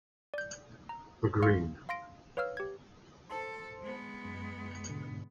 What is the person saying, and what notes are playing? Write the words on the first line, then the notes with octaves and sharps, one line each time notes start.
The green!
D5 G6
A#5
F5 C6 C#6 F6 C#7
F5 C6 A#6 D7
B4 C#5 F5 E6 F6
G4 G#6
A4 C5 A5 C6
G#3 B3
F#2
G#2 B2 D3